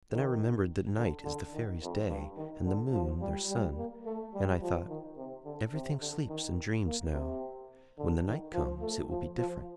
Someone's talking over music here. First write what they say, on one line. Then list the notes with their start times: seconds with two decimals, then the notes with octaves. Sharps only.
Then I remembered that night is the fairies' day, and the moon their sun; and I thought--Everything sleeps and dreams now: when the night comes, it will be different.
0.12 D#3
0.97 D3
1.24 D3
1.53 D#3
1.81 F2
2.09 G2
2.36 D#3
2.66 D3
2.92 F3
3.21 G3
3.50 G3
3.77 A#3
4.06 A3
4.34 G3
4.61 F3
4.89 D#3
5.17 C3
5.45 D3
5.73 C3
6.01 D3
6.29 D#3
6.86 A#3
7.13 C3
7.98 D3
8.26 D#3
8.53 F3
8.81 A3
9.10 F3
9.37 F3